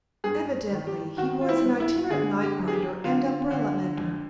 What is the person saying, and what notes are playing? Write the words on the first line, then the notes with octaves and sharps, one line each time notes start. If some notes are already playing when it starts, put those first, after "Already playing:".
Evidently he was an itinerant knife-grinder and umbrella-mender.
G2 G#4
D#3
G4
D#3 F#4
F4
E4
G2
E4
D3 G#4
G4
F#2
G#4
G4
D3 F4
D3
F2